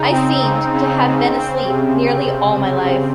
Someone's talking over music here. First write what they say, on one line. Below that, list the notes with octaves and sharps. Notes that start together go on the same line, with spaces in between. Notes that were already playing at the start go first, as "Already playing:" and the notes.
I seemed to have been asleep nearly all my life.
Already playing: C#3 D#4
C4
C#3
C#3
C#3
C4
C3